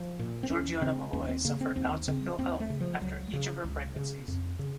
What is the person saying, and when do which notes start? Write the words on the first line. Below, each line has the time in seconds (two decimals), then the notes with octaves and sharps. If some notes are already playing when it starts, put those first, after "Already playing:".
Georgiana Molloy suffered bouts of ill health after each of her pregnancies.
Already playing: F3
0.19 A#2
0.43 C4
0.50 D#2 C#4
0.81 C#3 C4
1.13 D#2 C#4
1.29 C4
1.45 C#3 A#3
1.61 C4
1.76 D#2 C4
2.08 C#3 C4
2.38 D#2 C4
2.60 A3
2.70 C#3
2.80 F3
3.01 C#2 F#3
3.33 C#3
3.64 C#2
3.96 C#3
4.28 F2
4.59 C#3